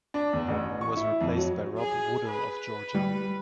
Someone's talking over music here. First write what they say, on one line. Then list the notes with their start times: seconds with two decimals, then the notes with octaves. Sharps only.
He was replaced by Rob Woodall of Georgia.
0.14 D4
0.33 E2
0.48 A1
0.81 C#6
0.97 E4
1.21 F2
1.37 F#3
1.78 G#4
2.28 B4
2.94 G3